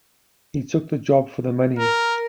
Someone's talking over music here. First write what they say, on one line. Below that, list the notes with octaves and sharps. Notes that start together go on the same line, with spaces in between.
He took the job for the money.
A#4